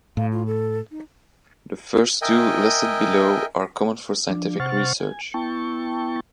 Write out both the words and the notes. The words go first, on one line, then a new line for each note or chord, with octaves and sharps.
The first two listed below are common for scientific research.
A2 F5
F4
A4
D#4
A#4 D#5 E5 G5 G#5
F3 D4
C3 C5 F#5 C#6 F6 A6
G#5
B3 E4 G5 A5 C#6